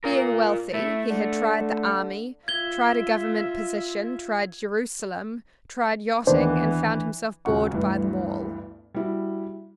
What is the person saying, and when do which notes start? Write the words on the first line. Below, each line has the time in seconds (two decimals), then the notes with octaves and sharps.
Being wealthy, he had tried the army, tried a Government position, tried Jerusalem, tried yachting and found himself bored by them all.
0.04 F4 A#4
0.73 A3 E4
1.10 D3
2.48 F4 E5 G#6 G7
6.27 D#2 D#3 E3 B3 D4 C5
7.45 D#1 C#3 F#4 F#5 C#6
7.72 G1 D2 G2 E3
8.95 G3 E4 F#4